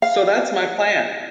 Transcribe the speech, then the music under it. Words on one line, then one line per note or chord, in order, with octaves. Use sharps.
So that’s my plan.
F5